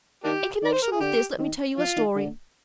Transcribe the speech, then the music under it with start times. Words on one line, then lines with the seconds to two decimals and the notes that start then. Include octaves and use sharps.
In connection with this, let me tell you a story.
0.24 D#3 A#3 D4 G4
0.62 D#3 D5
0.72 C5
0.82 A#4
0.91 G#4
1.00 D3 G4
1.38 D#3
1.77 F3 F4
1.96 D#3
2.15 D3